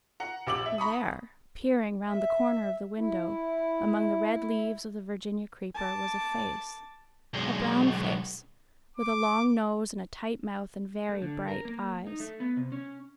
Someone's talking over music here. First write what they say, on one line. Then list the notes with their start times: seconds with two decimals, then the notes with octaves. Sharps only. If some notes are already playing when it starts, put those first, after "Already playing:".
For there, peering round the corner of the window, among the red leaves of the Virginia creeper, was a face - a brown face, with a long nose and a tight mouth and very bright eyes.
0.20 F#5 A#5
0.47 A#1 G4 D6 E6 F#7
0.66 E5
0.78 A#5 B5 C#6 D#6
2.07 E5
2.98 E4
5.74 A5 D6
7.34 B1 G#3
8.97 D6
11.09 A3
11.22 D3
11.48 A#4
11.65 A#3
12.07 D#4
12.20 A3
12.40 B3
12.57 C3
12.72 C#4